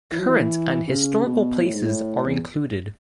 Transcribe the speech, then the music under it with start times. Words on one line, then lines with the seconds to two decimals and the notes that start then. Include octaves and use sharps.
Current and historical places are included.
0.12 E3
0.19 F#3
0.26 E3
0.88 C#3
1.25 B2
1.63 A2
1.74 G#2
1.85 A2
2.26 E2